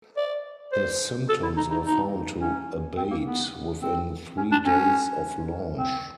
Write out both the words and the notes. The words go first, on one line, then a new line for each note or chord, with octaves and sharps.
The symptoms were found to abate within three days of launch.
D5
C5
A4
E4
D#4
D#4
D#4
C#4
C4
A#3
B3
C4
C#4
D4
C#4
C4